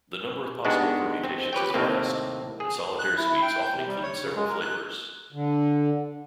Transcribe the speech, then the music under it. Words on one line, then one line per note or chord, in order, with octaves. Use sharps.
The number of possible permutations is vast, and solitaire suites often include several flavours.
G#3 B3 D4 D#4 F#4 G4
C4
G4 B4 C#5 G5
D#2 A2 C3 A#3 C4
G#4
F#6
E4
E4
G5
G6
C3
G3
C#5
C#3
G#3
A#4
F#6
D3